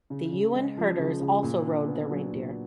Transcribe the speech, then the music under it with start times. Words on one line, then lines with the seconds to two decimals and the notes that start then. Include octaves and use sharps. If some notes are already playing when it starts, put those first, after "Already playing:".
The Ewen herders also rode their reindeer.
0.10 C#3
0.32 C#3
0.55 G#3
0.77 F3
0.99 C#3
1.21 C#3
1.43 A#2
1.65 D4
1.87 B3
2.10 F#3
2.32 A#2